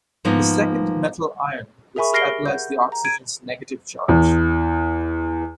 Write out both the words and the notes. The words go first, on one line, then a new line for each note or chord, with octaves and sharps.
The second metal ion will stabilize the oxygen's negative charge.
G#2 F3 A#3 B3 D#4
G#4 A#4 E5 G#5 B5 C#6
G4 F6 A#6 C7 D7 G7
F#5 G6
A#5
G#6 D7 D#7
E2